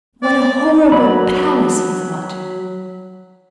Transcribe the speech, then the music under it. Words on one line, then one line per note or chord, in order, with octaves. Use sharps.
What a horrible palace! he thought.
D5
F#3 B5